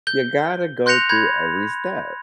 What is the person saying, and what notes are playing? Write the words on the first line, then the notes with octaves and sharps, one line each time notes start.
you gotta go through every step,
G6 G7
C6 F#6 G6 A#6 C#7 F7
B5 G6 G#6